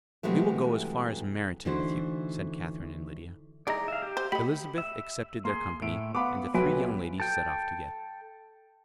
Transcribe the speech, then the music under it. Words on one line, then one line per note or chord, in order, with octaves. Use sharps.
"We will go as far as Meryton with you," said Catherine and Lydia. Elizabeth accepted their company, and the three young ladies set off together.
C3 E3 F#3 G#3 A3
D3 E3 A3 D#4 F#4 C5
E3 G#3 D#4 D5 A#5
E5 F5
G4
C5
A3 G4 D#5 B5
E5
A#3 G#4 C6
A2 E5 D7
B3 F5 F#5 B5 D6
B1 F#3 F4 B4 E5 G5 G#5
A4 G5